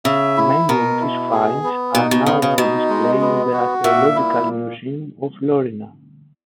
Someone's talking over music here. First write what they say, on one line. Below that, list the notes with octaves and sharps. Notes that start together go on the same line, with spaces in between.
Many of these finds are now on display in the Archaeological Museum of Florina.
C#3 E5
E4
B2 A#4
E4
G#4
B3
B2 D#4
B2
C#3 B3
C#3
B2 D#4
G#3
B3
F#4
A#2 E5
E4